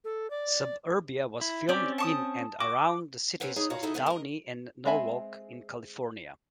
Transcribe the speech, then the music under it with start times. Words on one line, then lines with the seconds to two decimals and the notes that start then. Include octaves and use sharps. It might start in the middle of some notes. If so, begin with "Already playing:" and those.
Suburbia was filmed in and around the cities of Downey and Norwalk in California.
0.04 A4
0.30 D5
1.41 E4
1.69 C4 C#4 G4 D5
1.98 A5 C#6 D#6
2.60 F#4 D6
3.40 C4 C#4 A#4 B4 F#5
3.56 D#4 G#4 B4 C#5 D#5
3.70 B2 F4 F#4 C#5 F5 A#5
3.83 D#4 E4 F#4 G#4 A4 D#5
3.94 D3 F3 B3 B4
4.06 A#4 D#5
4.85 G#3 C4 E5 G#5 B5